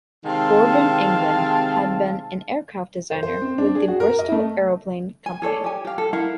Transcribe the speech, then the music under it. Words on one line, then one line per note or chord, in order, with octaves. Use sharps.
Gordon England had been an aircraft designer with the Bristol Aeroplane Company.
C3 D#3 G#3 C4 F5 A5
C5
C5
C4
D4
G#4
F#4
A#4
D#5
A3
G#5
G#4 A4 C#5 D5
G4 G#5
G4 F5
A4
E4 A#4 F5 F#5